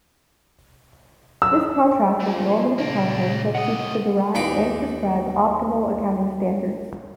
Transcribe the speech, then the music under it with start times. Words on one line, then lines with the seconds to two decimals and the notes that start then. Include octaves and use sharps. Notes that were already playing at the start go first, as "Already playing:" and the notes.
This contrasts with normative accounting, that seeks to derive and prescribe "optimal" accounting standards.
1.42 E6
2.20 A#2 F3
2.78 A#2 C#3 A#3 D4
3.55 C3 D#5 F#5
4.35 D#2 E3 D#4 B5 D6